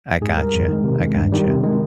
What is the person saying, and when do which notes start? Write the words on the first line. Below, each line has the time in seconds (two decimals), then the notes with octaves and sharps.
I gotcha, I gotcha.
0.21 G#2 G#4
0.37 G3 A#4
0.53 F2
0.68 D#3 G#3
0.84 C3
1.00 D#3 G#3
1.16 G2
1.32 D#3 G3
1.48 C3
1.63 D#3 G#3